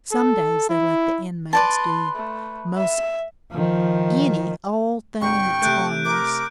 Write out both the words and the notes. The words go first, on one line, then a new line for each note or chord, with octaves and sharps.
Some days they let the inmates do 'most any old thing that's harmless.
A4
E4
B4 D5 A5 C6
A3
E5
D#3 F3
G1 C2 G5 C#6
C3 A3 F#6 G6 D7
A#4 D6